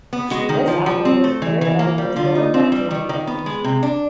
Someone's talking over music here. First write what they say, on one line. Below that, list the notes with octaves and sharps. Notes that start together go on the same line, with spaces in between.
This album was paired up with "Goin' Back to Indiana".
B3
G#3 F#4
D#3
F3
F3
C4
A3
E3
E3
A#3
G3
D3 F4
D#4
C4
G3
D#3
D#3
B3
G#3
C3
D4